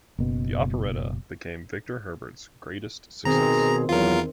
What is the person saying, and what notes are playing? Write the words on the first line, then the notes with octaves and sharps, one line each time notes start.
The operetta became Victor Herbert's greatest success.
F#1 B2
B2 D#3 C4 G#4 A#5
E2 F#3 F4 A#4